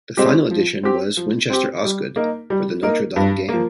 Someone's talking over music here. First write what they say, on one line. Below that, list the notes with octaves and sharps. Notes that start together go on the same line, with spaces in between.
The final addition was Winchester Osgood for the Notre Dame game.
G#3 C4 G4
F3
C4 G4
F3
C4 G4
G3
A#3 D#4 A#4
G3
A#3 D#4 A#4
G2
F3 A#3